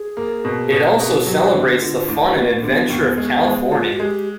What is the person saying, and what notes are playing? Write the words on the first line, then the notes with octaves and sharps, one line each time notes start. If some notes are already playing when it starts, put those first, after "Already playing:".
It also celebrates the fun and adventure of California.
Already playing: G#4
A#3
B2
B2
B2
F4
F#4
F#3 G4
D3 F#4
D3 F4
D2 E4
D2 A#3
D3 B3
D#2 B3
G#3
G#3
F#4
G#3 F4
F#4
G#3 G4